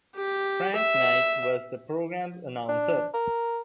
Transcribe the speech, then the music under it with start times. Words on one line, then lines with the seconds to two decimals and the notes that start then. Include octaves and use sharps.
Frank Knight was the program's announcer.
0.16 G4
0.75 E5
2.69 D4
3.14 A#4